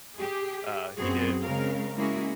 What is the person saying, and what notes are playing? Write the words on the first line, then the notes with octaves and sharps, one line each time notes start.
Uh, he did.
G4 G#4
F#2 B3 C4 F#4 G#4
C#3 G#3 C4 A#4 F5
G#3 A#3 C#4 E4 F#4 G#4